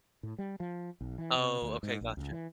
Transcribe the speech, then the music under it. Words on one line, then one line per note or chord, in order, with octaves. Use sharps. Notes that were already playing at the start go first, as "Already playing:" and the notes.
Oh, okay. Gotcha.
A2
G3
F3
B1
E3
C3
D2
G#2
A#1
C#2
E3